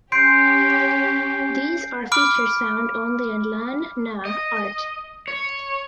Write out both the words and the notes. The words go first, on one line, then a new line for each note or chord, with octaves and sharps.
These are features found only in Lan Na art.
C#4 G4 C6 G6 C7 D7
B5 D6 F6 D7
D#5
C#5